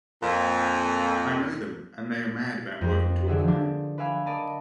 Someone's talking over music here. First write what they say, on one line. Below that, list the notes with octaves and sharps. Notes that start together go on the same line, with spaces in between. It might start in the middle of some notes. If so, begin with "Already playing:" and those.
I know them, and they are mad about working to a plan.
F2 A#2
F2 A#4 G6 A#6
D3 F#3 D4 F#4 G#4 E5
F3 D4
B4 D5 E5 F5 G#5 B5
A#4 D5 D#5 A5 B5